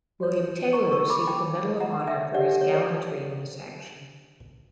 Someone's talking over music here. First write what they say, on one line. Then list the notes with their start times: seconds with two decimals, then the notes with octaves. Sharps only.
William Taylor received the Medal of Honor for his gallantry in this action.
0.20 F#4 C#5
0.73 A#5 C#6
0.91 C#6 E6
1.10 B5 D6
1.27 G5 B5
1.80 F#5 A#5
2.07 E5 G5
2.34 D4 G4 C#5 D5 F#5
2.61 C#5
2.74 D5